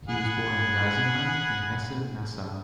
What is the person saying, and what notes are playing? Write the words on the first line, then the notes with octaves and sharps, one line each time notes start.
He was born in Geisenheim in Hesse-Nassau.
G#4 F#5 B5